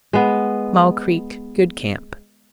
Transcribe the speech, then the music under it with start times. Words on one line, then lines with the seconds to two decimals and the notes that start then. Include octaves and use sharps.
Small Creek.--Good camp.
0.13 G#3 B3